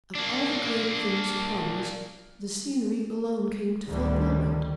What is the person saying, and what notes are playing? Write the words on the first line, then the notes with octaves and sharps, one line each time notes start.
Of all the great things promised, the scenery alone came to fulfilment.
A#3 D4
D2 A2 D3 D#3 G3